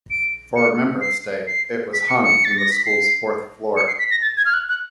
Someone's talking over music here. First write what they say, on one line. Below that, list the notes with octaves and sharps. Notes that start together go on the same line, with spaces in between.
For Remembrance Day it was hung from the school's fourth floor.
D7
C#7
C7
C7
B6
C#7
C#7
A6
A#6
B6
C7
C#7
C7
B6
A#6
A6
G#6
F6
F#6
F#6